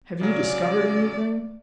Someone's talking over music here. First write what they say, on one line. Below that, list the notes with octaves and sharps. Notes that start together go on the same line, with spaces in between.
"Have you discovered anything?"
C#3 F#3 C#4 D5